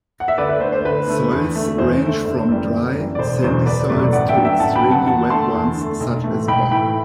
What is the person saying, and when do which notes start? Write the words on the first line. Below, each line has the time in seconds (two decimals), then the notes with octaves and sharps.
Soils range from dry, sandy soils to extremely wet ones such as bog.
0.20 F#5
0.28 E5
0.38 D2 B4 D5
0.49 B4
0.61 D3 A3 C5
0.72 C5
0.85 D2 B4
1.08 D3 A3
1.32 E2
1.55 D3 A3
1.78 E2 C5
2.03 D3 A3
2.25 G1
2.48 F#2 E3 G3
2.73 G1
2.95 F#2 E3 G3
3.15 D5
3.19 E1 C5
3.43 E2 B2 F#3 A3 C5
3.66 E1 B4 D5
3.89 E2 B2 F#3 A3 B4 D5
4.13 A1 D5 F#5
4.29 E5 G5
4.36 G2 D3 F#3 B3
4.45 E5 G5
4.60 A1 F#5 A5
4.76 G5 B5
4.83 G2 D3 F#3 B3
4.91 F#5 A5
5.07 E2 F#5 A5
5.30 D3 A3 A5 C6
5.54 E2
5.77 D3 A3
6.00 B1
6.24 A2 E3 A3
6.47 B1 G5 B5
6.71 A2 E3 A3 G5 B5